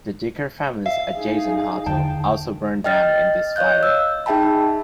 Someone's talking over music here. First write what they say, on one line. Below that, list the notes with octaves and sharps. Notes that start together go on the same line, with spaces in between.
The Dicker family's adjacent hotel also burned down in this fire.
E5 F5
D#4 G#4
E2 D3 G5 A5
D#5 G5 F6 A6
C#5 D#5 F5 F#6 G6
E6
D#4 G#4 E5 G5 A5 B5